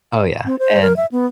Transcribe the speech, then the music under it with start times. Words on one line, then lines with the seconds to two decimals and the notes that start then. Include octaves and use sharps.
Oh yeah, and
0.46 C4
0.59 C5
0.82 A#4
0.96 E5
1.12 B3